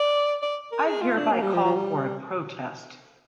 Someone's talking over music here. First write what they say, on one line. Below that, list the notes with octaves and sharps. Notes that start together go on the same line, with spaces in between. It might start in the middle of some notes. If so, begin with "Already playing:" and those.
I hereby call for a protest.
Already playing: D5
D5
A#4
G#4
F4
D4
A#3
G3
F3
F3
G3